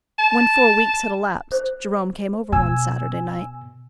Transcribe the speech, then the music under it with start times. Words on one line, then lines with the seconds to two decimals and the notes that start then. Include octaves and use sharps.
When four weeks had elapsed Jerome came over one Saturday night.
0.19 A5
1.52 C5
2.52 B2 G#5 E6